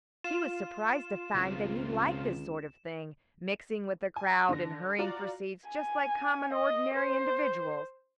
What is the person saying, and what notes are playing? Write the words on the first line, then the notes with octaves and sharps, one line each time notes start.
He was surprised to find that he liked this sort of thing, mixing with a crowd and hurrying for seats just like common ordinary individuals.
F4 E7
C#2 C#3 C4
G#5
D3 A#6
F4 F#4 D5 A#5
G#5
D#5
C5